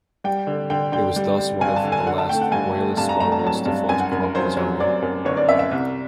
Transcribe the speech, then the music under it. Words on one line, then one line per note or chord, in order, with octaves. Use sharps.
It was thus one of the last Royalist strongholds to fall to Cromwell's army.
G3 G5
D3
D3 G5
D3 G5
G3
G3
G2 G#5
A5
D3
G#5
D3 F#5
A5
A3 G5
F#5
G2 G#5
A3
G2 A5
A#5
A3 A#5
A5
A#5
F#3 A5
G2
F#2 G#5
F#5
F#2
A#4
F#3 C5
F#3
F#3 D5
F#2
G1 C#5
D5
F#2 E5
E5
C2